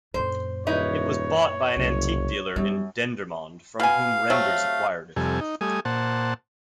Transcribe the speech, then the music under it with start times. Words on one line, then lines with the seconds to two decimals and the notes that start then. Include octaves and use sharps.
It was bought by an antique dealer in Dendermonde from whom Renders acquired it.
0.14 F#2 A#2 C5
0.67 D#1 D#4 E4 B4 C#5
1.76 F#1 C2
2.56 F#2 G3 B3 D#4
3.80 B2 F5 G#5
4.30 C3 F#3 A3
5.16 F2 C3 G3 A4 G#5
5.41 D#4
5.61 G3 A3 G#5 D#6
5.85 A#2 C5 F#5 A5